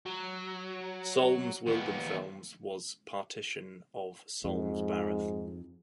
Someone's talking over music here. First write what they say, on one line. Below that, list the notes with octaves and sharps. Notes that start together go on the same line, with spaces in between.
Solms-Wildenfels was a partition of Solms-Baruth.
F#3
D#2 B3
F2 G#2